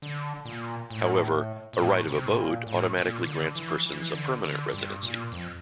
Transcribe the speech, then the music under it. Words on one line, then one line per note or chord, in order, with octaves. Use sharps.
However, a right of abode automatically grants persons a permanent residency.
D3
A#2
A2
A#2
A2
C3
A2
A#2
A2
A#2
D3
E3
E3
E3
D3
D3
G2
A#2
F2